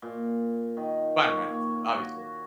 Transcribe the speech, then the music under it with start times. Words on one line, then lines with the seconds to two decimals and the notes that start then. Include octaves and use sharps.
Spider-Man outfit, obviously.
0.02 A#2
0.77 D#3
1.19 C#5
1.37 A#3
1.89 F#4